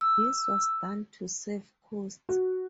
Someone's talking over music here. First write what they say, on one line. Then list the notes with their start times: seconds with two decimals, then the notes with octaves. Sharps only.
This was done to save costs.
0.01 E6
2.29 F#4